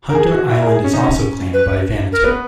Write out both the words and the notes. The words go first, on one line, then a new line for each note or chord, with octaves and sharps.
Hunter Island is also claimed by Vanuatu.
A#4
G#4
F#4
E4
A#4
G#4
C#4
D#4
C#4
B4
A#4
B3 B4